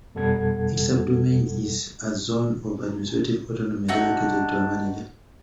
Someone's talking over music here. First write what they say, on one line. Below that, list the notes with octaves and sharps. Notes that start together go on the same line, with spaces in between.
Each subdomain is a zone of administrative autonomy delegated to a manager.
F2 B2 G3 A4 F#5 G#6
D4 D#4 F#4 E5